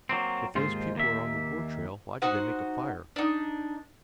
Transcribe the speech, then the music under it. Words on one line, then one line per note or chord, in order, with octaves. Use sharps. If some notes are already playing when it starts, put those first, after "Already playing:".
"If those people are on the war-trail why do they make a fire?"
F#3 A#3 C4
D#2 G#2 F4 C5
D#2 A#3 E5
D#4 F#4 C5 F#5
D4 D#4